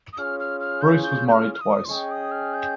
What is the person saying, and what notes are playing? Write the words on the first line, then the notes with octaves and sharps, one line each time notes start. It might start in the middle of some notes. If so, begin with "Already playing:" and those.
Bruce was married twice.
D#6
C#4 F4 G#4 C#5 F6
F6
F6
G6
G6
G6
F6
F6
D#6
C6
C#4 G#4 D#5 G5 C#6
D#6
F6
G6